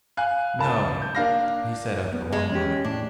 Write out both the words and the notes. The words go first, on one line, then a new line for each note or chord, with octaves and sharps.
"No," he said after a long moment.
F5 G#5 F#6
C#2 A#4 A5
G6
A#3 D4 F5 A#6
B3
G#3
C#4 G4
A2 D4